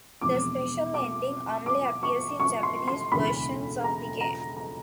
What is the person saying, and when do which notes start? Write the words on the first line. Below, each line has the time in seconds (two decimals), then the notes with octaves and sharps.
The special ending only appears in Japanese versions of the game.
0.21 E1 E2 C3 F3 D6
0.94 D6
1.66 D6
2.03 C#6
2.40 C#6
2.63 C6
2.88 C6
3.12 E1 D2 C#3 E3 B5
3.84 A#5
4.21 A#5
4.57 A#5